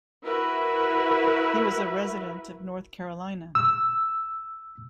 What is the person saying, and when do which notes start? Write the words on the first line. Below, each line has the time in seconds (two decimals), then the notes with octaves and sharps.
He was a resident of North Carolina.
0.24 E4 F#4 A#4 B4 E5
3.55 E6